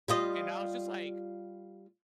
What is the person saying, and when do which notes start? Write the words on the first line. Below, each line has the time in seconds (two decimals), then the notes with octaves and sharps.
And, I was just like,
0.08 G3 F4 D#5